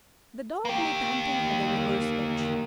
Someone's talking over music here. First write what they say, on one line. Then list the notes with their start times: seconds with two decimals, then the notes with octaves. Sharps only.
The dog lay panting at the river's edge.
0.65 A#3 G4